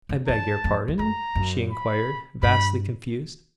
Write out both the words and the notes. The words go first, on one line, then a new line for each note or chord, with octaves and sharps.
"I beg your pardon?" she inquired, vastly confused.
F#2
E2 A5
F2
F2
F#2 A#5
F#2
B5
G2 B5